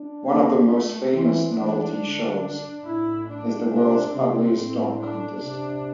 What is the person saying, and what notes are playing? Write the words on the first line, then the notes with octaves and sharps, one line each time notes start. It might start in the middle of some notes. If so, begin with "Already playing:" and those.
One of the most famous "novelty shows" is the World's Ugliest Dog Contest.
Already playing: D4
A#3
A3
E3 C4
E3 D4
D3
A2 E4
D4
C3 D4
C3 C4
A2 C4
D4
C3 D4